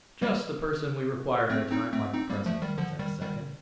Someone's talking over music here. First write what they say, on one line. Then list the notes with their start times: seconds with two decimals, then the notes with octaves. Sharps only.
"Just the person we require at a time like the present," said a second.
0.22 G3 A#3
1.50 A3 C4
1.71 C4 D#4
1.93 A3 C4
2.14 C4 D#4
2.30 G3 A#3
2.46 F3 A3
2.62 D#3 G3
2.78 D3 F3
2.99 D#3 G3
3.21 D#3 G3